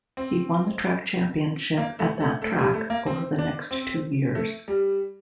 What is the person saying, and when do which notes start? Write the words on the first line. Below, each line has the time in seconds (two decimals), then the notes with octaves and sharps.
He won the track championship at that track over the next two years.
0.17 C4
1.78 A#3
1.99 A3
2.21 A3
2.42 A3
2.59 G3
2.74 A3
2.90 A#3
3.06 C4
3.39 D4
3.71 C4
4.35 A3
4.68 G3